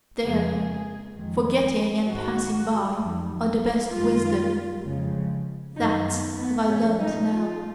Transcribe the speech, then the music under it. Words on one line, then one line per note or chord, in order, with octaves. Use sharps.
There, forgetting and passing-by are the best wisdom: THAT have I learned now!
F2 C#3 G#3 G#4
F2 D#3 G#3
G#2 D#3 G#3 F#4
F2 D#3 F#3
F#2 D#3 G#3 F4
F2 C#3 F3 G#3
F#2 D#3 F#3 D#4
B3
B3
A#2 F3 G#3 C#4
D#4
F4